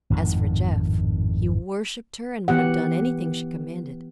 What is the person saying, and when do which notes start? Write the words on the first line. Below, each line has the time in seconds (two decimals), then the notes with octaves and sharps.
As for Jeff, he worshipped her and would have done anything she commanded.
0.10 G#1 F2 A2 D#3
2.48 E3 B3 G4 F#5